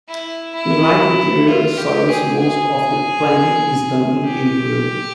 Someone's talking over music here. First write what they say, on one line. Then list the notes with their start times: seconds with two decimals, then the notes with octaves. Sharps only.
In light interior soils most of the planting is done in April.
0.08 E4
0.55 E4
1.47 F4
1.78 G4
2.09 G#4
2.39 G#4
4.25 G4